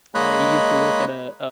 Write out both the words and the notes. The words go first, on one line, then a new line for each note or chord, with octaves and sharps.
I used to work at a
G#3 A#3 C#5 D#5 B5 F#6